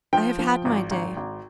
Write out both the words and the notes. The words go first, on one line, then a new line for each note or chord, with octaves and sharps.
I have had my day.
F3 G5
F3
G#1
G#1
G#1